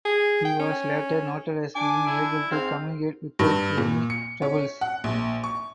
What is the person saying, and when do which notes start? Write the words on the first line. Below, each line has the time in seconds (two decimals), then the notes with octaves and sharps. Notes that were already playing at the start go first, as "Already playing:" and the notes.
He was later noted as being able to communicate without any troubles.
0.05 G#4
0.45 G5
0.59 C#4
1.75 D4 G#5 D6
2.06 E4
2.52 G#2 C4 F5
3.39 G2
3.77 A#2
4.10 C#7
4.42 C#4
4.81 F#5
5.04 A#1
5.44 C#6